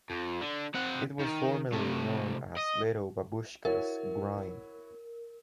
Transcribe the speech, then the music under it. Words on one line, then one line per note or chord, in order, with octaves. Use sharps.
It was formerly known as Little Babooshka's Grind.
F2
D3
C4 F#5
D#3
C3 A3
D#5
E4 F#4 A#4 C#5